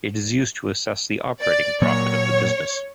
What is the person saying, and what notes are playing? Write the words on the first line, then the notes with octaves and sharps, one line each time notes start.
It is used to assess the 'operating' profit of the business.
D5
A#2 F#3 A#3 C#5